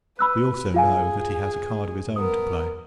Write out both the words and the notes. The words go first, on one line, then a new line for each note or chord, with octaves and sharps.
We also know, that he has a card of his own to play.
B4 B5 E6 F#6
F4 G#4 F5 G#5
B3 A#4 D#6